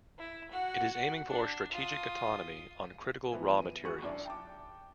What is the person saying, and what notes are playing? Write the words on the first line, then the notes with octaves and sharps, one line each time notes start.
It is aiming for strategic autonomy on critical raw materials.
E4
F#4 F#5
D4
F4 D#6
E3 F3 B3
D#7
G#1 F#4 G#4 C#6 F#6 C#7
F#2 D4 E4 D5
G5 A5 D6